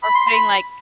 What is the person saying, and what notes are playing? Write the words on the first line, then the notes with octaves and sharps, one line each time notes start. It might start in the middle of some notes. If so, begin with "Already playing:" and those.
or putting, like,
B5
C6
B5